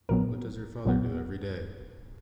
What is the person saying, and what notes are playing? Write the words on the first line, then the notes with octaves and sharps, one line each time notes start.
What does your father do every day?
A#1 A#2 F#3 B3 A#4
A#1 A#2 F#3 B3